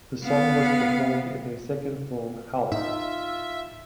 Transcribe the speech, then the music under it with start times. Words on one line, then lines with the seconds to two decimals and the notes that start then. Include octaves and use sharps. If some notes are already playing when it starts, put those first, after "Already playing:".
The song was performed in their second film, Help!
0.23 B3 F5
2.72 A2 D#4 F4 E5